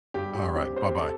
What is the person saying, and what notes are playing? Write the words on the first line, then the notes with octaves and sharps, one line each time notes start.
Alright. Bye-bye.
G2 G4
G4
C4 G4
C5
G4
C4 A4